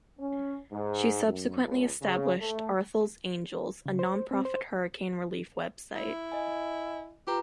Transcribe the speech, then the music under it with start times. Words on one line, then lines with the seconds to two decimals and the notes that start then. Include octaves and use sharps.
She subsequently established "Arthel's Angels", a nonprofit hurricane relief website.
0.19 C#4
0.73 G#2
1.25 F#2
1.64 C#2
2.02 C#3
2.40 A3
3.86 C#3
3.99 C5
4.31 C4
4.45 C5
5.95 E4
6.32 D#5 G#5
7.27 F4 G4 B4 A#5